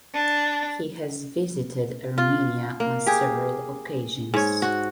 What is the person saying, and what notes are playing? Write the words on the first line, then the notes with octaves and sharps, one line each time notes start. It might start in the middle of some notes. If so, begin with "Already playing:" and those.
He has visited Armenia on several occasions.
D4
F4
A#3
G4 G#4
G#2 C#5
F#4